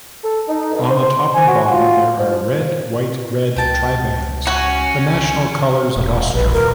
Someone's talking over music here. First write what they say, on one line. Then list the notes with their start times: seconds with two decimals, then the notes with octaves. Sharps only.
On the top and bottom, there are red-white-red tribands, the national colors of Austria.
0.24 A4
0.49 D#4
0.72 G2
0.90 C5
1.35 G#5
1.47 F#4
1.71 F4
2.18 F3
3.56 C#2 G5 A5
4.47 C#4 F#4
5.96 E1
6.34 A#1 B4
6.53 D#1 A#4